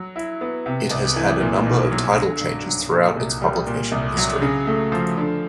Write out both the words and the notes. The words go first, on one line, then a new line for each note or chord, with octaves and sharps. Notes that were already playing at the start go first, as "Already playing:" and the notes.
It has had a number of title changes throughout its publication history.
Already playing: F#3
E4
B3
C3
C2
E3
A#2
B1
F#3
D3
G2
F#3
A#2
C2
G3
A#2
C2
F#3
C#3
A3
F3
D3